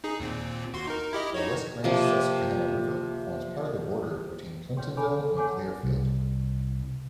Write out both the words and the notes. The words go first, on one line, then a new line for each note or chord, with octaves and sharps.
The West Branch Susquehanna River forms part of the border between Plymptonville and Clearfield.
D#4 G#4
D#2 A#2 C4
D#2 F#4 C6
D#4 A#4
E4 G4 D#5
D#4 F#4 C#5
C3 F3 A#3
B4 C#5 G5 C6
G#4 A4 C#5 G#5 A5 B5
A4
C#5 F#5 G#5 A5 C6 D6
C2